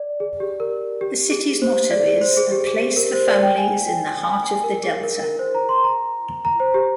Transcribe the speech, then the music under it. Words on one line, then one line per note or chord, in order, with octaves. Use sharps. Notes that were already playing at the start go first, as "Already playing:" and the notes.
The city's motto is, A Place for Families in the Heart of the Delta.
Already playing: D5
G#4
G4
A#4
G4
G#4
C5
D5
C5
G#4
G4
G#4
G4
A#4
C5
D5
G5
G#5
G5
G#5
G#5
A#4
G#4
A#4
A#4
C5
A#5
C6
A#5
A#5
C5
G4